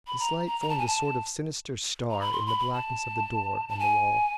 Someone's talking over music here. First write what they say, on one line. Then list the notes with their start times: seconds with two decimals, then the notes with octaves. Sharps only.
This light formed a sort of sinister star in the blackness of the door and the wall.
0.07 B5
0.20 A#5
0.47 A#5
0.61 A#5
0.69 A5
0.78 G#5
0.86 A5
2.10 A#5
2.20 B5
2.33 C6
2.46 B5
2.59 B5
2.73 A5
3.69 A5
3.79 G#5